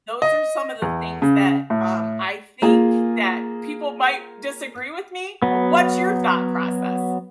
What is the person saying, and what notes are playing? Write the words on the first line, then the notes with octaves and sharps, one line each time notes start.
those are some of the things that, um, I think that people might disagree with me. Uh, what's your thought process?
D#5
E2
C#3
A2
A#3 F4 G#4
F#3 B3